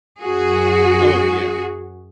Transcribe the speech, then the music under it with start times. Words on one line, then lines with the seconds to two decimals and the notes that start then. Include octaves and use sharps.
Oh, yeah.
0.20 F#2 F#4 G#4